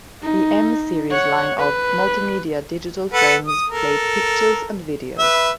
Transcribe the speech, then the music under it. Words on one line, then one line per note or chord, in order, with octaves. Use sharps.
The M-series line of "multimedia" digital frames play pictures and videos.
D#4
C#5 F#5
B4
A4 B4 F#5
D#6
A4 A#4
B4 E5